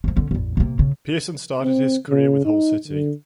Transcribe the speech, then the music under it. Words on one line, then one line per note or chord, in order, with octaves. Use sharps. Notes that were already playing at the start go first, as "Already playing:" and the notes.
Pearson started his career with Hull City.
F3 A3
D3 C#4
A1 E2
C3 A#3
C#3
C4
C#3
D#4
D3